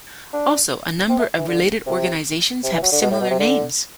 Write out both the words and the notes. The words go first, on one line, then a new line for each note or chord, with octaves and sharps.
Also, a number of related organisations have similar names.
D4
C4
A3
E3
D3
C3
C3
E3
F#3
D3
B2
A2
B2
C3
D3